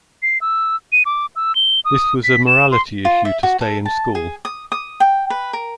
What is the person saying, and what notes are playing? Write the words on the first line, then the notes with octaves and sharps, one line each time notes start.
This was a morality issue to stay in school.
C7
E6
D#7
D6
E6
G7
D#6
B6
E7
C6
F4
E5
F#4
A4
A5
G#4
D#6
D#6
G5
B4
A#4